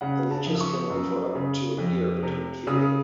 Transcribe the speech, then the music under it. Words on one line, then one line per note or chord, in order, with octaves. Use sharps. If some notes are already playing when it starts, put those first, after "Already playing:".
These leeches can live for up to a year between feeding.
C#3 F#5
A5
F3
D#6
C#6
F#2
C#3
F2
C3
C#3 D#6